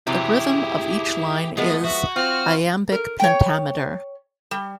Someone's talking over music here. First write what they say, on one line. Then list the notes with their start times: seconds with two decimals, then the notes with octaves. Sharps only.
The rhythm of each line is iambic pentameter.
0.07 C3 E3 F#3 E4 G4 G#4
1.57 F3 G#3 A3 B3
1.84 F#4 E5
2.16 C4 F4 F6
2.92 A#4
3.20 C#5 G5
4.51 G3